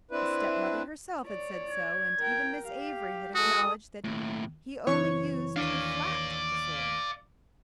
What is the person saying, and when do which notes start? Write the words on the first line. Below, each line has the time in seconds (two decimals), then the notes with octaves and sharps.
His stepmother herself had said so, and even Miss Avery had acknowledged that he only used the flat of the sword.
0.11 C4 D4 E4 B4
1.25 C#5 D5
1.70 G#6
2.19 A#4 G5
2.66 G4 F5
3.35 G#3 F#4 A4 D#6
4.04 D#2 A2
4.87 F#1 E3 C4 C#5 C#6
5.56 D#2 D4 D5 F5